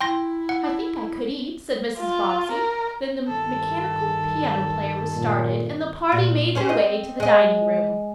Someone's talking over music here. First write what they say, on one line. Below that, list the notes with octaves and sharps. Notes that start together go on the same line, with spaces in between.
"I think I could eat," said Mrs. Bobbsey, then the mechanical piano player was started, and the party made their way to the dining room.
E4 G5 C6 A#6
F#5
F4
A#4
G2 D#3 A4
A#2
A#2
C#4 G#4 C5
C4 D#5
G#3 D#5